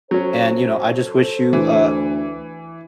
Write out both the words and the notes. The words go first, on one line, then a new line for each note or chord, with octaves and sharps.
and, you know, I just wish you, uh,
F#3 C#4 A4 C5
D2 E3